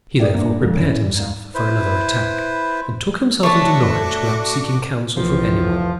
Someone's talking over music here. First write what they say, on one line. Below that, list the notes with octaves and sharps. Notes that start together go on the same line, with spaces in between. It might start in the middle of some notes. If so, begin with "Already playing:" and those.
He therefore prepared himself for another attack, and took himself into Norwich without seeking counsel from any one.
G#4 A4 C5 D5 E5 G5
A#3 B3 D4
F2 D3 G#3 D#4 A#4
C#4 E4
G3
G#2 F5
E4 B4 C5
A3 D4 F#4 C#5 A5 D6
C2 A2 E3 F3